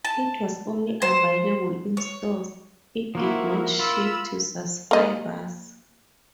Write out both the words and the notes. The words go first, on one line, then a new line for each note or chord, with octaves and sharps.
It was only available in stores; it did not ship to subscribers.
A5
C5
C#5
F3 A#3 E4 F#4 A#4
F4 B5 E6
A#3 D#5